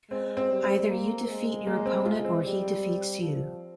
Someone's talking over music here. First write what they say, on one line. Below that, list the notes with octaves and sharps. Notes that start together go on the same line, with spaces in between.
Either you defeat your opponent or he defeats you.
G#3 C4
C4
G3
C4
A#3
G#3
A#3
C4
F4
C4
G3
F3